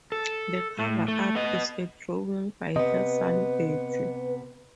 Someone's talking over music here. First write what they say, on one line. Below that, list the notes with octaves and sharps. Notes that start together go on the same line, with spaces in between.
The cover art is a drawing by her son Bertie.
A4
A2
A3
B3 D#5
C3 B3 B4 D#5